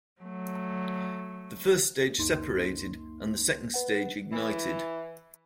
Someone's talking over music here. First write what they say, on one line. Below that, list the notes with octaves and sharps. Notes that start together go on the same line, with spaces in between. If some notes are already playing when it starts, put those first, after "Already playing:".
The first stage separated and the second stage ignited.
F#3 A3
C#2 F#2 A#3 D#4 C6
B4 F#5
E3